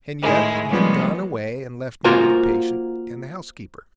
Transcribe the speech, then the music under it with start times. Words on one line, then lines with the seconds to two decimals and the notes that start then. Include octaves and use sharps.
And yet he had gone away and left me with the patient and the housekeeper.
0.21 A2 D#3 G#3 E4
0.68 F3 G3 G#3 A#3 B3 C#4
2.04 A#3 F4 F#4 A#4 C5 G#5